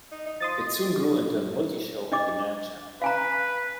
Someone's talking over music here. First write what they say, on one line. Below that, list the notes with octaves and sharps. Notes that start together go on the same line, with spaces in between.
It soon grew into a multi-show on demand channel.
D#4
D#4
F3 C6 D#6 A6
D#5
D4 D#5 D6
B4 F5 G#5 A#5